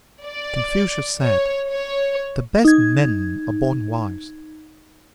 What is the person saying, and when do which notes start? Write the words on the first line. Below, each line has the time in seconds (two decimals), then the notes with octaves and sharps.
Confucius said, The best men are born wise.
0.25 D5
1.22 C#5
1.70 C#5
2.64 D#4 G#6